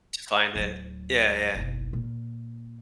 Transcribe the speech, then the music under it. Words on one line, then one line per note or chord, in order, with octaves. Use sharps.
To find it. Yeah, yeah.
D1 F#3
F#1 B1
A#2